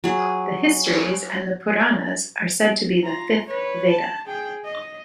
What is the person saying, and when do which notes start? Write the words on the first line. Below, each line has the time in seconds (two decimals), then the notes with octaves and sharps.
The histories and the Puranas are said to be the fifth Veda.
0.04 F#3 G#4
3.03 F4 A#5
3.48 B4 C#5
3.88 A5
4.25 G#4 G5
4.65 D#5